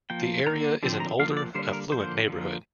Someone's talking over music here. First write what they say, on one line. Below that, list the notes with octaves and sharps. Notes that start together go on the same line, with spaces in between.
The area is an older, affluent neighbourhood.
F3 A#3 G5
D3 A#3 A#5
D3 F3 C4
A#5
F3 A#3 F5
D5
D3 G3 A#3 C5
A#4
D3 F3 A#3 C5
D3 F3 A#3